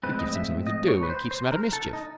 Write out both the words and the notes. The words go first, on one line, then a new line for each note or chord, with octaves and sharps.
It gives him something to do and keeps him out of mischief.
A2 F3 G#3 C4 B4
D#5
E5
D#5
C#5
B4
C5
C5
A#4
A4
D#4